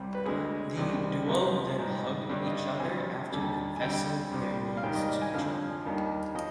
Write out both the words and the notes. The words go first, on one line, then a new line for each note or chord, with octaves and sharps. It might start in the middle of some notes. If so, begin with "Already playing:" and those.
The duo then hugged each other after confessing their needs to each other.
Already playing: C2 C3 G3
B4
D2 D3 G#3 G#4
C2 C3 D#3
F2 C3 F3 G#3 B4
G#2 G3
G2 D3 G3 D5
D#5
D2 C3 G3 G#5
D#2 D3 G3
G#5
F2 D3 G3 G5
C2 C3 G3
F5
G#2 D#3 G3 G5
D#5
D5
G#5
F2 D3 F3 F5
D#2 D#3 G3
F3 D#5